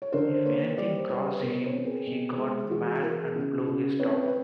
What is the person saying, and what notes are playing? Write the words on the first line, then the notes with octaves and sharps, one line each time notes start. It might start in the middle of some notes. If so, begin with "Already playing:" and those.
If anything crossed him, he got mad and blew his top.
C#5
D3 A#4 C5
A#3 B4 C#5
G3 C5 D5
G3 B4 C#5
B4
B2 A#4 C5
B4 C#5
C4
G#4 A#4
B2
G#3
E3 F#4 G#4
E3 G#4 A#4
C#3
C#3
C4 B4 C#5
B4